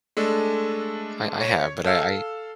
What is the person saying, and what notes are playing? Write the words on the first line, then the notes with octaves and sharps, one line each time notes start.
I I have, but I
G#3 A3 D4 A4
C#5
A4 F5 E6